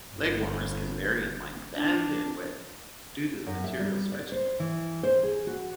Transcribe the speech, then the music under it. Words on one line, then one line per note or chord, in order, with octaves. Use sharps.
Leg warmers can vary in length, and in width, due to the material's stretchiness.
G1
D4
F#2
E5
G3
D5
C5
E3
C5
G#4
F#4